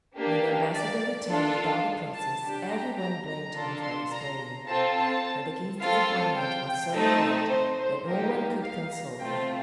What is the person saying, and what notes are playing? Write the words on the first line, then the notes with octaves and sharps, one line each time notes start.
When the ambassador returned without the Princess, every one blamed him for his failure; and the King's disappointment was so great that no one could console him.
A#3 D4 G4
D5
D4 F4 A4
F5
A5
D4 G4
A#5
A#5
A#5
D4 F4 A4
C6
A#5
C4 F4 A4 A5
A5
C4 F4 A4 F5
G5
A3 C4 D#4 A4
C5
C5
A#3 D#4 G4 A#4
F5
A#5
A3 C4 F4 G5